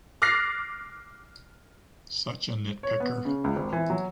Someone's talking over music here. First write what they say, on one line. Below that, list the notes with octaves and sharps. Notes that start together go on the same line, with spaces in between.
Such a nitpicker.
D6 F6 F#6 A6 A#6 C7
C#5
B3
C#3
C#2
G#1
E3
F#3